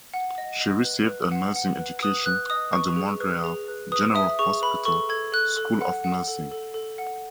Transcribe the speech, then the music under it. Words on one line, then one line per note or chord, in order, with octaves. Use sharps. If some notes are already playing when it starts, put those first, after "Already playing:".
She received her nursing education at the Montreal General Hospital School of Nursing.
F#5
D#5
D#5
B4
B4
F#5
F#5
B4
B4 D#6
B4 F#6
D#5 D#6
B4 C#6
G#4
B4
G#4
B4
B4 D#6
E5 D#6
G#4 C#6
B4 B5
A4 C#6
A4 G#6
A4 F#6
A4
F#5
F#5
A4
A4
A4
F#5